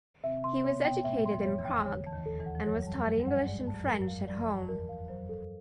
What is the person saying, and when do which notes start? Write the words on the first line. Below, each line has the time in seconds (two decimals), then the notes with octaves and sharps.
He was educated in Prague and was taught English and French at home.
0.24 C3 C4 E5
0.44 C3 C4 C6
0.64 B2 B3 C#5
0.84 B2 B3 G5
1.04 A2 A3 E5
1.24 F#3 C6
1.32 F2 F3
1.45 C#5
1.58 E2 E3
1.65 G5
1.85 D3 C#5
2.06 E3 A5
2.13 D#2 D#3
2.26 A4
2.40 E2 E3
2.46 F#5
2.55 F3
2.66 F#2 F#3 C#5
2.82 G3 A5
2.93 F#2 F#3
3.07 A4
3.20 G2 G3
3.27 F#5
3.47 G#2 G#3 D5
3.67 A5
3.74 F#2 F#3
3.87 A#4
4.01 F#2 F#3
4.07 F5
4.27 F2 F3 D5
4.49 A5
4.68 E2 E3 A#4
4.89 F5
5.08 F#2 F#3 C5
5.29 A4